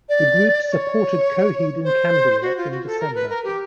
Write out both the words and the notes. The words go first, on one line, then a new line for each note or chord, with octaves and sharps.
The group supported Coheed and Cambria in December.
D5
D5
C#5
C5
F#4
F4
F#4
A4
A#4
B4
A#4
G4